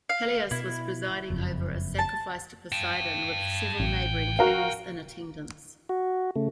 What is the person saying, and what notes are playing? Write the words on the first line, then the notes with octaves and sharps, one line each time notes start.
Pelias was presiding over a sacrifice to Poseidon with several neighboring kings in attendance.
F5
B2 E4
F#1 F2
A5
G5 A5
A1
F#4 A#4 F5
F#4
C#3 A3